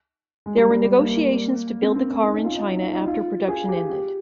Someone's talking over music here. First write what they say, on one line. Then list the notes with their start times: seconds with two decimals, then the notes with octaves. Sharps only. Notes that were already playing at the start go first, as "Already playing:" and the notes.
There were negotiations to build the car in China after production ended.
0.46 G#3
0.58 G3
0.70 G3
0.84 G3
0.99 A#3
1.82 C4
1.96 C4
2.10 C#4
2.23 D#4
2.34 C#4
2.44 F4
2.55 D#4
2.65 D#4
2.80 F4
2.93 D#4
3.06 F4
3.48 G#4
3.68 G4
3.90 G4